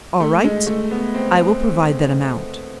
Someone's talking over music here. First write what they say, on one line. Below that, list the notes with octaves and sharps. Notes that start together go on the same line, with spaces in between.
"All right, I will provide that amount."
A3
G#3
A3
B3
C4